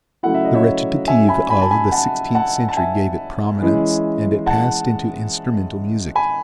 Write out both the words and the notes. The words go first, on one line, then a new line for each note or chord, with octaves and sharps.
The recitative of the sixteenth century gave it prominence, and it passed into instrumental music.
C#3 F#3 A3 E4 F#5
E5
D#5
C#5 E5
E5 G#5
G#5 B5
G#5 B5
A5
G#5 B5
F#5 A5
F#5 A5
A5
E5 G#5
E3 G#3 C#4 E4
F#5 A5
G#5 B5